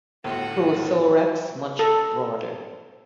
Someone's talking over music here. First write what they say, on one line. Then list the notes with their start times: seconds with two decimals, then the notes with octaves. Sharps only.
Prothorax much broader.
0.24 G1 A2 F4 F#4
1.79 A4